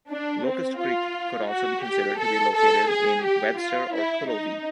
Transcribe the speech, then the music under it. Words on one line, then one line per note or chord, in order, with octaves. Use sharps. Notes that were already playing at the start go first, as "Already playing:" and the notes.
Locust Creek could also be considered to be located in Webster or Cullowhee.
D4
C4
F4
F#4
G4
A4
A4
G#4
G4
F4
E4
D#4